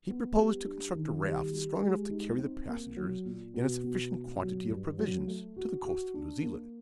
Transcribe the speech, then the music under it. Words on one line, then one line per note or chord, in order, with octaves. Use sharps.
He proposed to construct a raft strong enough to carry the passengers, and a sufficient quantity of provisions, to the coast of New Zealand.
B3
G3
D4
D#3
G3
G3
G#3
D#4
C4
A#3
F#3
A#2
B2
B2
B2
F#3
G2
F#3
A3
F#4
F#4
D4
A#3